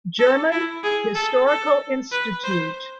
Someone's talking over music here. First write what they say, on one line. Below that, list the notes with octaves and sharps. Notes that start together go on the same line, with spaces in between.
German Historical Institute.
A4
E4
G#4
A4
A4
B4
C5